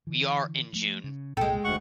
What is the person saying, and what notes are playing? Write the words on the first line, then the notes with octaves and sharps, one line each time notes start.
We are in June.
D3 E3
F3 A3
C#3
C2 F#2 A#2 G#3 A4 G5
F1 D2 F#5 C#6